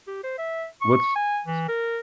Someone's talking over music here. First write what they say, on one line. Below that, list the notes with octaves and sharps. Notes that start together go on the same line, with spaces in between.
What's s
G4
C5
E5
C#6
G#5
E3
A#4